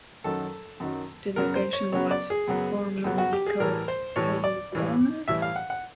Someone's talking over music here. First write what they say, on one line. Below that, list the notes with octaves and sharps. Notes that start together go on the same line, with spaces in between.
The location was formerly called Payne's Corners.
F#2 D#3 F#3 A4
F#2 D#3 F#3
F#2 C#3 F#3 B3 A#4
C5
C#5
F#2 C#3 F#3 B3 C#5
D5
G#4
F#2 C#3 F#3 B3
F#2 C#3 F#3 B3
F#4
G4
G#4
A2 E3 G3 A#4
C5
A2 E3 G3 C#5
D5
A2 E3 G3
A2 E3 G3 E5
F5
F#5
F#5